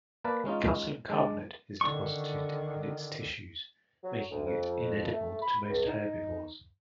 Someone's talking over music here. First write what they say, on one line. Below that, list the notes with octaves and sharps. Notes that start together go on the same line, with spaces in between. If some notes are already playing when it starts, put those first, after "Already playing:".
Calcium carbonate is deposited in its tissues, making it inedible to most herbivores.
A#3 A#4 B4 D5 A5
G#3 C#4 D#4 F4
G#3 D4 D5
D3 D#3 C#6
F#3
D2
F2
A3
B5
C#2
D#4